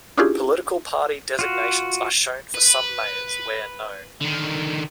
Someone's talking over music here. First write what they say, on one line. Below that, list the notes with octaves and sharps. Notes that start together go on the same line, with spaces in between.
Political party designations are shown for some mayors, where known.
C#4 D4 E4 F4 G4 G#4
F4 F#4
B4
D3 D#3